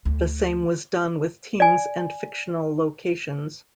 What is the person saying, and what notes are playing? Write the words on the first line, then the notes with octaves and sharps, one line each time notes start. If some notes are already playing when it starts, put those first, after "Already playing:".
The same was done with teams and fictional locations.
D2
D5 G#5